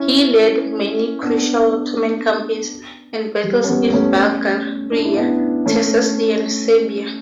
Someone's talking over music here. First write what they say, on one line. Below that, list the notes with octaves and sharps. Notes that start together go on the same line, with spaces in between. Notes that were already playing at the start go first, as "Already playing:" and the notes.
He led many crucial Ottoman campaigns and battles in Bulgaria, Thessaly, and Serbia.
Already playing: C#4 E4
B3 D4
G3
C#4
G3 B3
A3 C#4
D4
E4
B3 D4
A3 C#4